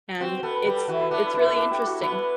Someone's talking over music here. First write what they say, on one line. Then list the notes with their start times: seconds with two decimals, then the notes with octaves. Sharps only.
and it's it's really interesting.
0.20 C4 F#4
0.43 B3 A4
0.55 B4
0.66 G3 B4
0.77 A4
0.88 E3 F#4
1.00 E4
1.11 B3 D4
1.26 E4
1.34 A3
1.41 E4
1.56 D4
1.71 G4
1.86 F#4
2.01 B3 E4